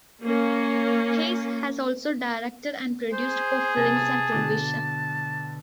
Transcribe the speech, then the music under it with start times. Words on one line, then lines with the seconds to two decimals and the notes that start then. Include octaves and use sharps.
Hays has also directed and produced for films and television.
0.24 A#3 C#4
3.13 G#4 C5
3.77 C3 B4 G#5 A5
4.32 B2 D3 D6